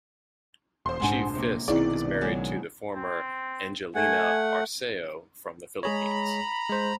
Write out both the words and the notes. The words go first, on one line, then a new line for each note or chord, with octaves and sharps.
Chief Fisk is married to the former Angelina Arceo from the Philippines.
E1 C5 C6
F1 A#1 G#2 D4 F#5 G#5
C3 A#3
B1 B2 D#3 C4 E4 G#4 D5
C#3 F#3 G#3
C4
A3 F#5 G#5
G#3 G#4 C#5 A#5 B5
G#3 C5